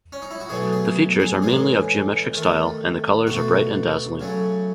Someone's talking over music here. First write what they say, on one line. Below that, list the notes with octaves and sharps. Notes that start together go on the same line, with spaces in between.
The features are mainly of geometric style, and the colors are bright and dazzling.
C#4
D#4
E4
F#4
B2 F#3 A3 G#4
G#4
G#4
A2 E3 G#3 G#4
D#3 A3
B2 A3 F#4
C#3 F#3 A3